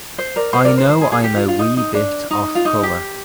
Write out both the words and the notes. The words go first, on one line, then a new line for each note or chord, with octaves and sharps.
I know I'm a wee bit off color.
C5
A#4 D5
C5 D#5
A#4 D5
C5
C5
G#4
G#4
G4
F4
F4
D#4
D#4
D4
D#4
F4
D#4
G4